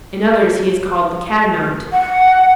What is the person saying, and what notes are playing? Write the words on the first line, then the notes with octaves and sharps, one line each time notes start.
In others he is called the Catamount.
F#5